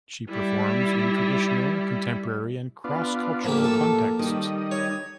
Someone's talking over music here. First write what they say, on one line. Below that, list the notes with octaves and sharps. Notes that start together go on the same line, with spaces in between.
She performs in traditional, contemporary, and cross-cultural contexts.
G3 E4
B3 D4 F4
A2 F3 A#3 G4
A4
D#3 G3 D#5
C#5